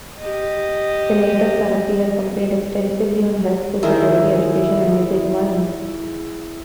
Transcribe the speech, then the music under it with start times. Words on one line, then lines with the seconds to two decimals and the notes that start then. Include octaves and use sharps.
Senator Saraki has campaigned extensively on health, food security, education and the environment.
0.18 G4 D#5
3.83 D#3 E4 G#4 A#4 C5